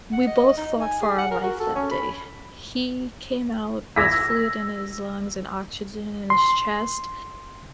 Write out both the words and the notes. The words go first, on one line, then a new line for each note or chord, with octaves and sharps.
we both fought for our life that day. He came out with fluid in his lungs and oxygen in his chest,
F#5
D#5
D#4
G#5
G#4
F#5
A#4
F#4
A4
C#4
B5
E6 G#6 A#6 B6
C6